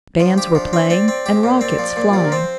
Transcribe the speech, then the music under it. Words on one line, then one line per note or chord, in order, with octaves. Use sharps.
Bands were playing and rockets flying.
F3 D4
G4
F3 D4
C4
C4 D5
C4
G4 C5
A#2
C4 D5
F3
A#2
F4
F3 G4
A#4
C4 C5